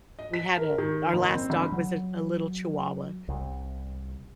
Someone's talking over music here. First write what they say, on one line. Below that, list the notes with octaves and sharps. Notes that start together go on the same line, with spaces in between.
We had a Our last dog was a a little Chihuahua,
D#5
B6
A#4
D#3
F#1
C4
G1
F#3
C2